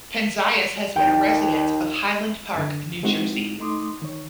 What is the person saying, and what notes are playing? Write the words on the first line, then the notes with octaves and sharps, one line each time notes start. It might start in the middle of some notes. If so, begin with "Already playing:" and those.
Penzias has been a resident of Highland Park, New Jersey.
D#2 G5
F#2 D3
G#3 C4 D#4 E4 F#4 G4
A3 D#4 C6 D6 D#6
D#3 C#5